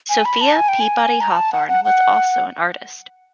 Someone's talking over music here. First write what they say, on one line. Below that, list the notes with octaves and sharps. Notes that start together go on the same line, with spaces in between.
Sophia Peabody Hawthorne was also an artist.
G#5
B5
A5
G#5
G5
G#5
A#5
A5
F#5
F#5
F#5